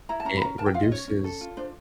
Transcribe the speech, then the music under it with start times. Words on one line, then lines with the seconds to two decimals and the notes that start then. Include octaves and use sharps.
it reduces
0.09 E4 A#5
0.20 A5
0.25 C#4 A#5
0.37 B5
0.41 C#4 A#5
0.58 A#4 A5
0.66 G5
0.74 F4 F5
0.83 D#5
0.91 C#4 C#5
1.08 C#4
1.24 A4
1.41 F4
1.57 D4 C5